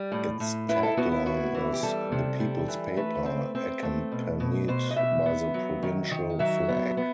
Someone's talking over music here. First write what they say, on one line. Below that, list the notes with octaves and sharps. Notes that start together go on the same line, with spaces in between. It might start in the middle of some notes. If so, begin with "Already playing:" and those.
Its tagline is "The People's Paper", accompanied by the provincial flag.
Already playing: G3
A2
A2
E4 B4
A4
B3 F#4
E4
E4 F#4
E3
G4
G3 A4
C3
G3
E3
A3 B4
C4
C4
A3
B2
B2
B2 C5
D#5
B2 E5
B3
F#3
D#3
D#3
F#3 E5
B3
B3